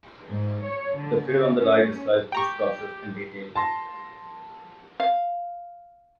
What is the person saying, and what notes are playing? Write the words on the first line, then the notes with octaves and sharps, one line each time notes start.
The figure on the right describes this process in detail.
G#2
C#5
D3
C#3
C#4
G4 G5 A#5 C#6
A5 C6 A#6
F5